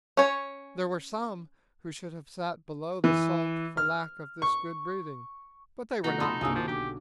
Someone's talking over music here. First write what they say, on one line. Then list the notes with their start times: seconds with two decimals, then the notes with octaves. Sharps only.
There were some who should have sat below the salt for lack of this good breeding; but they were not many.
0.17 C#4 C#5
3.04 E3
3.77 F6
4.42 C#6
6.04 B2 F3 A3 D#4 F#4 F#5 B5
6.20 A4 B5 C6 D#6
6.41 C2 G2 A#3 F#4 G#5 D#6 E6
6.55 D#3 F3
6.68 B1 D3 G4 D6